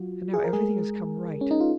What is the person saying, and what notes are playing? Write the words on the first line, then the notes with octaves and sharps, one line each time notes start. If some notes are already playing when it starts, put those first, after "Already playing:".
And now everything has come right.
Already playing: F#3 F4 F#4
G#4
A#4
G#3 G#4
C#4
D#4
F4